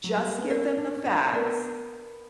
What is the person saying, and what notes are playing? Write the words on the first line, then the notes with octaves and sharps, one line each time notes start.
just give them the facts,
F#3
G3
A#3
B3
C#4 A#4 D5 F#5
D4
C#4
D4
B3 A#4 D5 F#5